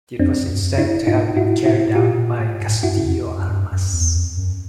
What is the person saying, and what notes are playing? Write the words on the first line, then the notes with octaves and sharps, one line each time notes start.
It was instead to have been carried out by Castillo Armas.
F2 C4 D4
F2
G2
F#2
D4 E4
G#2 D#4 F4
G#2 E4 F#4
A2 E4 F#4
A#2 F4 G4
A#2
A2
G#2
G2 E4 F#4
F2
F#2
G2
F#2
E2
F2
F#2